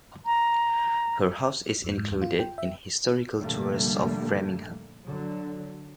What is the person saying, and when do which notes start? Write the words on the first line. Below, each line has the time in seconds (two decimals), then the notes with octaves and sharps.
Her house is included in historical tours of Framingham.
0.25 A#5
1.84 F2
1.98 G#2
2.10 E2
2.22 F4
2.39 G5
2.58 E5
3.40 F1 A#2 D3 G3 A3 A#3
5.08 D3 F#3